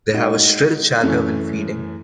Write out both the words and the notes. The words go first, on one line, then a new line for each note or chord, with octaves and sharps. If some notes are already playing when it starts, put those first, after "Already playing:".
They have a shrill chatter when feeding.
G#3 D#4 F#4
F#2 E3 A3 C#4 E4